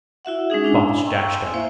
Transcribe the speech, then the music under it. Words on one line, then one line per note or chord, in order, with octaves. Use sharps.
Balch dashed up.
E4 F#4 E5 F#5
G#3 C#4 D#4 G#4
D4 E4 G#5
G5 A#5 C6 C#6 E6
G#5 E6
A#3 E4 C5 E5 F5